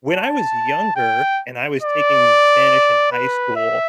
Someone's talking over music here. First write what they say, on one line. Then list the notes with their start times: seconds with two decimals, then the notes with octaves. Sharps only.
when I was younger and I was taking Spanish in high school,
0.09 A5
0.96 G5
1.83 D5
3.12 B4
3.56 E5